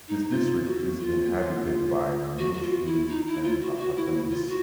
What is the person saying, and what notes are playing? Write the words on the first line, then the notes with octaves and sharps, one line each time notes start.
This district is inhabited by Nyishis and Apatanis.
D#4
F4
F#4
F4
F#4
F#4
F4
E4
D#4
E4
F4
F#4
F#4
E4
E4
F4
F#4